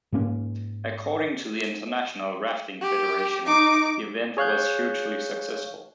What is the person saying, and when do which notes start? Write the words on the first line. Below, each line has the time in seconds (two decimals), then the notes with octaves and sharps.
According to the International Rafting Federation, the event was hugely successful.
0.12 G#2 A#3 C#4
2.81 G4
3.46 D#4 D6
4.37 G#4 C#5 F5 F#6 G6